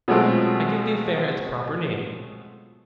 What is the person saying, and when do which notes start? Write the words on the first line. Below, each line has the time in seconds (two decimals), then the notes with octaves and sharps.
I give the affair its proper name.
0.08 B2 F#3 G#3 A3 C4 F4